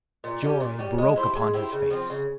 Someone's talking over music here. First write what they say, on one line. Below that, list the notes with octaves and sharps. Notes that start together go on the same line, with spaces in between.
Joy broke upon his face.
A#2
G3 C#4 G4
A#2
G3 C#4 G4
G#3
E4 G4 C5
G#3
E4 G4 C5
C#3
F3 C4
C#3